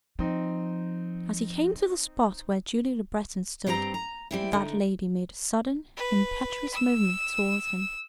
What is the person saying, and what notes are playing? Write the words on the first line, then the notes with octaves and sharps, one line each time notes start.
As he came to the spot where Julie Le Breton stood, that lady made a sudden, impetuous movement towards him.
F3 C4 D#4
G2 G3 C4 B4 A#5
A#5
G3 C4 E4
D3 D#4
B4
E6